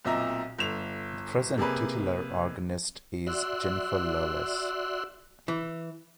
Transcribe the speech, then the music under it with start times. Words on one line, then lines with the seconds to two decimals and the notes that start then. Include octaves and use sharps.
The present titular organist is Jennifer Loveless.
0.05 B1 A#2 C4 D#5 E5 A#5
0.58 G1 F7
1.58 C3 A#3 G#4 B4
3.27 F#4 D5 E5 C6 E6 F#6
5.48 E3